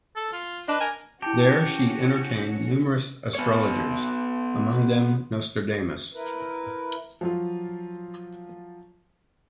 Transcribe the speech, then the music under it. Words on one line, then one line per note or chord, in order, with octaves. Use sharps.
There she entertained numerous astrologers, among them Nostradamus.
A4
F4
D4 B4 D#5 A5
A#4 G#5
C#4 E4 F#4 G4 A5 C#7
B3 C#5
E4 A#4 B4
F3 F#3 F4